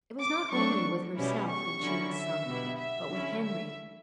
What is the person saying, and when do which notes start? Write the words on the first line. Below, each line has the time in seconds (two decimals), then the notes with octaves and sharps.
It was not only with herself that she was sunk--but with Henry.
0.20 D6
0.52 F#3 A3 D4 C#6
1.17 B2 G3 C#4 E4
1.50 C#6
1.81 D3 F#3 C#4 E4
2.14 E5
2.45 B2 G3 B3 E4
2.78 E5
3.10 D3 F#3 C#4 E4
3.43 E5